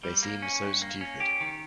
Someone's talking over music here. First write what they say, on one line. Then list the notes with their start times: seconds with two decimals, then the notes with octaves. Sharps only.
They seem so stupid.
0.03 G3
0.23 A#3
0.42 C#4
0.63 G2
0.82 A#3
1.01 C#4
1.20 G4
1.41 D#3